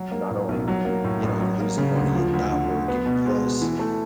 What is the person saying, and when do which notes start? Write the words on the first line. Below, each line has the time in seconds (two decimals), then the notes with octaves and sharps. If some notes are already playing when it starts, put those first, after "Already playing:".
you're not only you're you know, you're losing money and not working plus,
Already playing: F#3
0.11 A#3
0.30 A2
0.49 B1
0.68 F#3
0.85 A#3
1.04 A2
1.23 A1
1.41 F#3
1.60 A#3
1.78 C#3
1.96 D2
2.15 F3
2.33 D2
2.51 D3
2.70 D2
2.88 B3
3.06 B2
3.25 G#3
3.44 B2
3.61 E3
3.79 A3